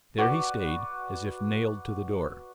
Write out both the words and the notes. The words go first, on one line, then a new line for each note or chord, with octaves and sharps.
There he stayed as if nailed to the door.
F#4 B4 D5